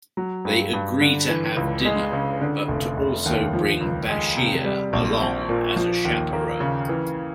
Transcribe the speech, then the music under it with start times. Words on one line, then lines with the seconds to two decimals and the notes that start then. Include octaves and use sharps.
They agree to have dinner, but to also bring Bashir along as a chaperone.
0.17 F#3
0.45 G2
0.73 G2
1.01 D3
1.29 E3
1.56 C#2
1.85 G#3
2.12 C#3
2.41 D3
2.68 F1
2.97 F1
3.26 D#2
3.53 F3
3.81 C#2
4.09 G#3
4.37 C3
4.64 G3
4.93 A#1
5.21 C4
5.49 A#2
5.76 F3
6.05 D#2
6.33 A#3
6.60 C#3
6.89 E3